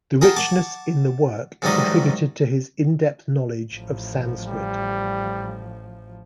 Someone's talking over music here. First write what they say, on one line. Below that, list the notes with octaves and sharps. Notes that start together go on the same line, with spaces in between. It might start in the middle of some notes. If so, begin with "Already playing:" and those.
The richness in the work is attributed to his in-depth knowledge of Sanskrit.
G#4 A#4 F#5 G5 A5
F#5 A5 C#6 D6
A1 G#2 D#3 F#3 G3 D#5
A1 F3
G3